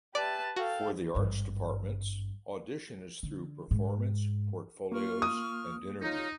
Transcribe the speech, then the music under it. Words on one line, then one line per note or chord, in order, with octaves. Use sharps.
For the arts departments, audition is through performance, portfolios, and interview.
G4 B4 D5 E5 A5
F#4 A4 F5 G5
G#1 G2
D3
G#2
A#3 F4 C#6 F6
D#6
D#4 F4 C#5 A#5